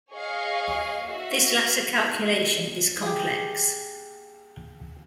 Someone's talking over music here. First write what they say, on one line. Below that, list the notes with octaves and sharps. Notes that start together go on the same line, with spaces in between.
This latter calculation is complex.
G#4 C#5 D#5 F5 C#6
F#4 E5
G4 G#4